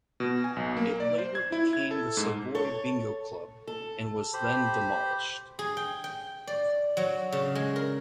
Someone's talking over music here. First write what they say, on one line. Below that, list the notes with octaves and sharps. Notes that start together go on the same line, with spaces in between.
It later became the Savoy Bingo Club and was then demolished.
B2
G#5
B1
A#3
D5
C5
G#6
E4
G#6
A4
G#2
A4 C#5
A4
G4 C5 B5
G#4
G5
G5
D5
F#3
C#3
G#3
A#4